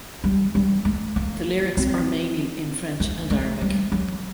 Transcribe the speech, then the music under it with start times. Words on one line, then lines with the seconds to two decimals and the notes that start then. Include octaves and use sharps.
The lyrics are mainly in French and Arabic.
0.24 G3
0.55 G3
0.85 A3
1.16 A#3
1.77 C4
3.00 A#3
3.30 A3
3.61 G3
3.92 F#3